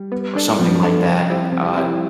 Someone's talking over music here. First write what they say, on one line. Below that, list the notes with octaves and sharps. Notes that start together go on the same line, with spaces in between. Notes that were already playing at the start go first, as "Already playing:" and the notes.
or something like that. Uh,
Already playing: G3
B3
D4 A4 D5
F3 B3
D4 A4 D5
C3
G3 C4 E4 G4
C3
G3 C4 E4 G4